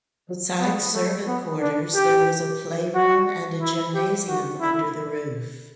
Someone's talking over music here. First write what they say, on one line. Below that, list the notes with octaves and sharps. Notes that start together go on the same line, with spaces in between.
Beside servant quarters, there was a playroom and a gymnasium under the roof.
B3
A3
B3
D4
G4
F#4
E4
G4
F#4
E4